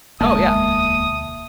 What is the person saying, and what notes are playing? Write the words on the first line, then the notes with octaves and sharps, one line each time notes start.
Oh, yeah.
E1 D2 B2 G#3 A#3 E5 A5 D#6